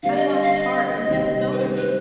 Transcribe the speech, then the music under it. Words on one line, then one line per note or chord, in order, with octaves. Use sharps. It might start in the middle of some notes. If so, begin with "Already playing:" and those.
I've lost heart, and death is over me.
D3 G3 C4 G4 C5 F5
D5
D#5
D#5
F5
D#5
C3 D#3 G3 C4
B4
C5
B4